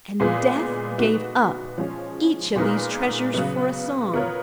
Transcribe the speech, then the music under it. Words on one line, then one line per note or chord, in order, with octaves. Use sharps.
And Death gave up each of these treasures for a song.
A#2 G#3 B3 F4 G#4
B3 D#4 F#4
F3 G#3 C#4
A#2 G#3 B3 D#4 A#4
C#3 F#3 B3
B3 F4 A#4 C#5